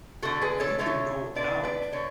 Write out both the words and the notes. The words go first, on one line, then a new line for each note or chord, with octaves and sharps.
You can go out
D3 A3 F#4 A4
G#4 B4
A4 C#5
D3 A3 A4 C#5
D3 A3 B4 D5
B4 D5
D3 A3 A4 C#5